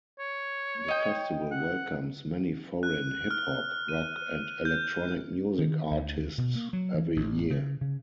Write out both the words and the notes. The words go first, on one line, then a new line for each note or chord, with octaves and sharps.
The festival welcomes many foreign hip-hop, rock and electronic music artists every year.
C#5
D#5 G5
F#5
F#6
F6
D#7
G6
D#3
D2
B2
A#3
F#3
E3
A1
C#3
C#3